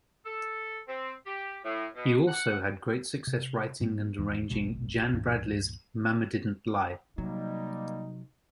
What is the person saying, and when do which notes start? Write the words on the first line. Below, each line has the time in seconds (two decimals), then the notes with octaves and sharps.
He also had great success writing and arranging Jan Bradley's "Mama Didn't Lie".
0.25 A4
0.88 C4
1.26 G4
1.64 A2
1.95 B2
2.27 F#5
3.27 C3
3.81 G#2 G3 B3
4.18 D1 E2 D#3 E3
4.50 F1 A#1 B2 G#3
5.13 C#2 G2 A#2 E3
7.18 C3 D#3 F#3 G3 A#3 D#4